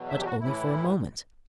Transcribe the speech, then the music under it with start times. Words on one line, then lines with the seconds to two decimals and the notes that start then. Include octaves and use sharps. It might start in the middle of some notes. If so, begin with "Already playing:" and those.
But only for a moment.
Already playing: E2 B2 F#3
0.09 E5
0.19 G4
0.25 F#4
0.41 A2 E3 E4